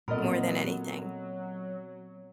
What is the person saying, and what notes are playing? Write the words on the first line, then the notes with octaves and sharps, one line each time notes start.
more than anything.
A#2 F#3 B3 C4 A4 A#4 D#5